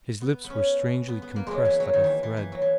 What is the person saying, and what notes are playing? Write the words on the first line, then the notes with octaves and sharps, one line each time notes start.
His lips were strangely compressed like a thread.
B3
B3
C#4
B3
B3
A#3
F#3 G#3
E3
F#3
D#3
E3
E3
E3
F#3
E3